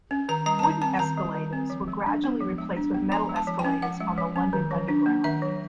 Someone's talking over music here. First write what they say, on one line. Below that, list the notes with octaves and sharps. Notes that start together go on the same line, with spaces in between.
Wooden escalators were gradually replaced with metal escalators on the London Underground.
C#4
D#3 A#5
G3 A#5
A5
D#3 A#5
C4 A5
D#3 A#5
G3
D#3
C4
F3
G#3
D4
B3
F3
G#3
D4
B3
F3 A#5
G#3
A5
F3
G5
C#4
F3 F#5
G#3
F3
C#4
D#3
F#3
D4
A#3
D#3 E5
F#3